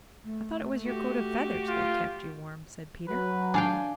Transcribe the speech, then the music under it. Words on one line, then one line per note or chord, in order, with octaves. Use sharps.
"I thought it was your coat of feathers that kept you warm," said Peter.
A3
F#4 G4
F4
F#3 B4
D4 F5 G5 G#5